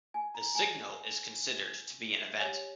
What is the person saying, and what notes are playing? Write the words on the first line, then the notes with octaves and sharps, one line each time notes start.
The signal is considered to be an event.
G#5
A#5
G#5
G4 C#5 G#5